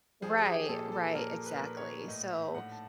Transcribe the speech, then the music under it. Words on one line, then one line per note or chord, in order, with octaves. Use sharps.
Right, right, exactly. So,
F3 G#4
G4
G#4
A#2 A4
A4
A#2 A#4
B4
A#4
A#2 B4
C#5
A2 D#5
E5
A2 F#5
A5